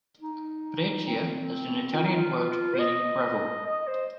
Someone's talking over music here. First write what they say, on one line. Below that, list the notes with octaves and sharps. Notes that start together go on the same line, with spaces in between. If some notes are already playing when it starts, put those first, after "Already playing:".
Breccia is an Italian word meaning "gravel".
D#4
C4
F4
D#4
F4
C5
D#5
D#5
C5